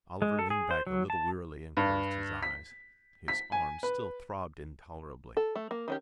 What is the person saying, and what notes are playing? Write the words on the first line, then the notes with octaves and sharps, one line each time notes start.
Oliver leaned back a little wearily and closed his eyes; his arm still throbbed intolerably.
G#3
A4
G#4
C5
F#3
A5
G2
B6
B6
G#5
B4
A4
A3
A#3
D#3 C#4 G4